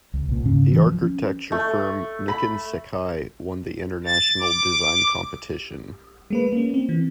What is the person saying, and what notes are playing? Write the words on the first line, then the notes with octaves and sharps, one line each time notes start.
The architecture firm Nikken Sekkei won the international design competition.
C#2
C2 A#2
G#2 C#3 C#4
E3
F3
C#4
A3
B5
A6
D6
G#3 A#3 B4
A#3 C#4
C4
E3